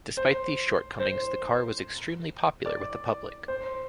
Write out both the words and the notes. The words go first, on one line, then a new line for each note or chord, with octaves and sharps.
Despite these shortcomings the car was extremely popular with the public.
C5
C5
D5
C5